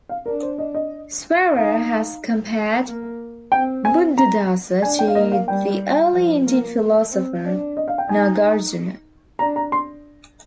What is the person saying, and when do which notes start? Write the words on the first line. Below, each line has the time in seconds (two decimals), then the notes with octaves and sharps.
Swearer has compared Buddhadasa to the early Indian philosopher Nagarjuna.
0.09 F5
0.26 D4 A#4
0.43 C5
0.58 D#5
0.75 D#5
1.56 D#4 F5
2.87 A#3
3.52 C4 G5
3.85 G#5
4.18 A#5
4.82 D4 G#5
4.99 G5
5.08 F5
5.15 A#3 D#5
5.32 F5
5.48 G3 G5
6.13 F3
6.46 A#3
7.11 C4
7.44 D4
7.77 D#5
7.88 F5
7.98 G5
8.09 D#4 G#5
9.39 D4 A#5
9.56 A#5
9.72 C6